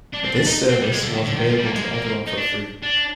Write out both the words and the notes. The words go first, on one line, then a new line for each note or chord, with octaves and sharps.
This service was available to everyone for free.
D4
C4
D4
D#4
C4
G3
G#3
D3
D#3
D3
D#3
F3
G3
A#3
G#3
A#3
A#3
A#3
D#4
D4
D4